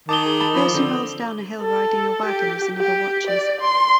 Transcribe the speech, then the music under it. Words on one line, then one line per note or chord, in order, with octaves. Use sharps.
A person rolls down a hill riding a wagon as another watches.
D#3 A5 D6 D#6 G7
G#4
A5 B5
F3 B5
D3 C4
A4
G4
G4
D5
C6